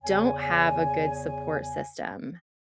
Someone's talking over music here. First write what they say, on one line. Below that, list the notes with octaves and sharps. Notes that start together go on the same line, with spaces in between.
don't have a good support system,
E2 C#3 C#5 G#5